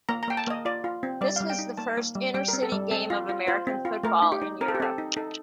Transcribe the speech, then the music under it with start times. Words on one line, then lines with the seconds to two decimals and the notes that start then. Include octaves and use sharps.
This was the first intercity game of American football in Europe.
0.09 A#3 A#5
0.23 A#5
0.28 A#3 G5
0.37 A5
0.47 A#3 D#5
0.65 F4 D5
0.84 F4
1.03 C4
1.21 G3 D5
1.36 F5
1.40 G3
1.50 G5
1.59 D#4
1.78 A#3 A5
1.97 A#3
2.15 G3
2.34 G3 G5
2.48 A#4
2.53 C4
2.63 A4
2.72 G3
2.91 C4 A4
3.10 F4
3.29 F4
3.47 F4 C5
3.67 C4
3.85 F4
4.03 A3 A#4
4.22 D#4
4.32 G4
4.42 D#4
4.61 C4 A#4
4.68 A4
4.75 G4
4.80 C4 A4
4.98 D#4
5.17 D#4 A4